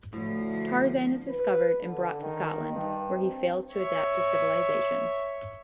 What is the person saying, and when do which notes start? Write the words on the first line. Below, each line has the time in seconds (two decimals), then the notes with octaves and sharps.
Tarzan is discovered and brought to Scotland, where he fails to adapt to civilization.
0.13 D2 A2 F3
1.28 B4
1.80 D3
2.22 D#3
2.73 G2
3.15 C4
3.72 C#5 E5